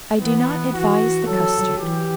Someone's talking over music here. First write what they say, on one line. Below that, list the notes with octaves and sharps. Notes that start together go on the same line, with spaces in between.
I do not advise the custard.
E3 B3
E3 F#4
F#3 A4
E3 G4